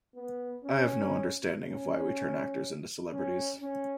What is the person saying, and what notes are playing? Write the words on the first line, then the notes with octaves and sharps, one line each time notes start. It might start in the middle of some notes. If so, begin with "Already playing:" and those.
I have no understanding of why we turn actors into celebrities.
B3
C#4
C#4
C#4
C#4